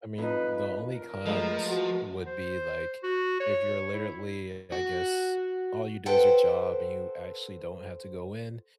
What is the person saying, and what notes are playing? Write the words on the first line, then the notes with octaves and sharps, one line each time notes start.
I mean, the only cons would be, like, if you're literally I guess, all you do is your job and you actually don't have to go in,
F2 D#4 B4
A#4
F3 G#3 A3 B3
F#4
C5
F#4
C#5
E4
F#4
A4 B4 C5 F#5 G5